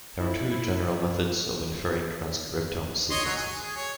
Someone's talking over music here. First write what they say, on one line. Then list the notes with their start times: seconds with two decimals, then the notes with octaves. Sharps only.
There are two general methods of inferring transcriptome sequences.
0.20 E4
3.10 C#5 D#5 C6
3.25 F#3 C#5
3.37 G#5
3.62 G#4
3.76 C#5